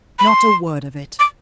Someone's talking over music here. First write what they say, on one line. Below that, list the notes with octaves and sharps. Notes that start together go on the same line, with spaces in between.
'Not a word of it.
B5
C6
D6